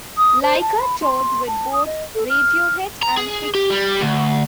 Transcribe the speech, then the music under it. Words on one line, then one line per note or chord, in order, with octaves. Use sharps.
Laika toured with both Radiohead and Tricky.
D#6
C5
A5
B5
C6
A5
D#6
D#5
A4
F6
A#5
G#4
G4
G3
D2